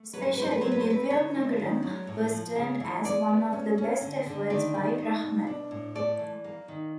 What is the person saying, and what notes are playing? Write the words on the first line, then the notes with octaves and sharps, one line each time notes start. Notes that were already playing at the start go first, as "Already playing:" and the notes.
Especially, "New York Nagaram" was termed as one of the best efforts by Rahman.
Already playing: A3
F#3 B4
C5
B4
B3 C5
B4
F#3 C5
B4
C5
C4 B4
D3 C#5
D4
D#3
F#3
A2
F3
C#3
E3
G#3 D5
B3
C#4
C#4
D3
D3
D#3 D5
D#3
D#4
B2
D4
A2
A3 D5
E3
A#3
D#3